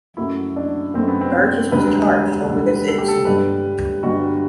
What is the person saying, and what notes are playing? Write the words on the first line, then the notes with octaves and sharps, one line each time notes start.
Burges was charged over this incident.
F#2 F#3 A3 E4
D4
F#2 F#3 A3 C4
B3
C4
E1 D2 D3 G3 B4
E1 D2 D3 G3 A4
A4
G4
A4
G1 G2 D3 G3 B4
G1 G2 D3 G3 F#4